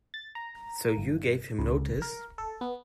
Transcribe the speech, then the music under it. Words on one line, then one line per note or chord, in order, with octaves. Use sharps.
So you gave him notice?
A6
A#5
G1
C#2
A#4
A4
B3